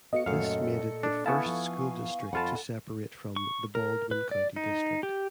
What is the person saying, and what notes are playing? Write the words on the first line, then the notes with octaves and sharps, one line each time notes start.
This made it the first school district to separate from the Baldwin County district.
B3 F#4 A4 D#5 F5 C#7
F#2 A#2 A3 A4 F5
D4
B3 E4 F5 G#5 A5 C#6
F3
F2 F4 A4 F#5 A5 B5
C#6
A#4
B4
D5
D#4
G4